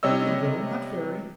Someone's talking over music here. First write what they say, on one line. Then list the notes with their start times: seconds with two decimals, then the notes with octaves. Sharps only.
"Only a little--not very."
0.03 C3 G3 C#5 D#5 E6